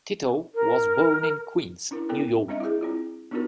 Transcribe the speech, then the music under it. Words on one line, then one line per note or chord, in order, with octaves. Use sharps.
Tito was born in Queens, New York.
A#4
C#4 D4 E4 A#4
B3 C4 E4 A4 A#4 G5
G3 C4 D4 D#5 E5
E4 G#4
C4 E4 F4
B3 D4 D#4 F4 F#4 A#4